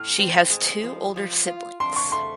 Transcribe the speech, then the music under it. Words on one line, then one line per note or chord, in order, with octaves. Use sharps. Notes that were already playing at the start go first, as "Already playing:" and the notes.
She has two older siblings.
Already playing: A2 F6
C4
G#3
F3
F3
F4
D4 C6
C#6
A3 C6